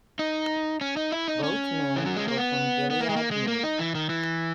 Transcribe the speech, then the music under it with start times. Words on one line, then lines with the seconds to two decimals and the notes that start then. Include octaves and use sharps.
Both men were from Gilead, Maine.
0.19 D#4
0.81 C#4
0.97 D#4
1.12 E4
1.28 D#4
1.43 C#4
1.96 E3
2.06 F#3
2.17 G#3
2.28 A#3
2.37 B3
2.90 B3
3.01 A#3
3.09 G#3
3.16 A#3
3.31 G#3
3.48 A#3
3.63 D#4
3.79 E3
3.95 D#3
4.09 E3